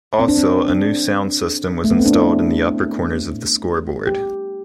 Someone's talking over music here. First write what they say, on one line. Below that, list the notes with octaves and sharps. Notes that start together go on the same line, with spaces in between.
Also, a new sound system was installed in the upper corners of the scoreboard.
C4
D4
C4
D4
A3
B3
C4
D4
E4
G4